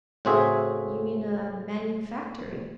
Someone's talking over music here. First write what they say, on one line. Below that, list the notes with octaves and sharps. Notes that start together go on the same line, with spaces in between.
You mean a manufactory.
A2 C#3 C4 F#4 G#4 E5